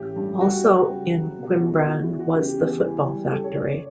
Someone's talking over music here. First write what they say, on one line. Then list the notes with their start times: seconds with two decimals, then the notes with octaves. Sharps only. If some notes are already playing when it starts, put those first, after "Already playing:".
Also in Cwmbran was The Football Factory.
Already playing: A1 G4
0.16 G2
0.40 G3 F#4
0.65 G3
0.89 F#1
1.14 F#3
1.38 B2
1.43 G4
1.50 F#4
1.62 E2 E4
1.73 F#4
1.86 E2 F#4
2.03 E4
2.10 E2
2.19 F#4
2.35 C#3 G4
2.59 E2
2.83 E3
3.08 G3
3.26 G4
3.31 F#1 A4
3.44 C#5
3.56 F#1 D5
3.68 C#5